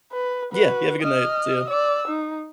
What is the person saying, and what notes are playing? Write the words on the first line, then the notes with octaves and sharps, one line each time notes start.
Yeah, you have a good night. See you.
B4
F#4 B4
D#5 F6
D5 E6
D#4